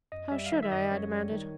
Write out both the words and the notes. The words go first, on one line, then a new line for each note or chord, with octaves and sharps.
"How should I?" I demanded.
F#2 D#5
G3 E5
F5
D#3 E5
E5
F#2 D#5
F#2 C#5
G3
D#3